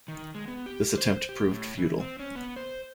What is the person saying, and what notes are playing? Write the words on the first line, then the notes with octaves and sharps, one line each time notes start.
This attempt proved futile.
D#3
G#3
B3
G4
C5
G4
A2
E3
C4
C#4
B3
C5